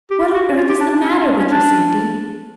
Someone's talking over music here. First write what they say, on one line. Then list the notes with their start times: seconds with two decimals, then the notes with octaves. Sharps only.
What on earth is the matter with you, Sandy?
0.11 G4
0.34 F#4
0.57 F4
0.69 G4
0.80 D4
0.93 D4
1.04 C#4
1.16 C#4
1.27 D4
1.39 C#4
1.51 D4